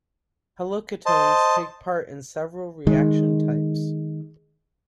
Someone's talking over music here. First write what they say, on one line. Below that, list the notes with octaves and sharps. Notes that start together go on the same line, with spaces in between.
Haloketones take part in several reaction types.
C5 D#5 A5
D#3 G#3